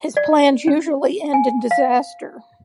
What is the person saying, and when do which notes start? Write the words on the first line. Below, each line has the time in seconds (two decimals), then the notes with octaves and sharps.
His plans usually end in disaster.
0.17 D5
0.67 C#4
1.34 G#5
1.71 F5